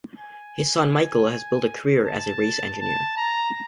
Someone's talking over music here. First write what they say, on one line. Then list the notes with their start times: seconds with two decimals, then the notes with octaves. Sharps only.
His son Michael has built a career as a race engineer.
0.18 G#5
2.05 A5
2.80 A5
3.17 A#5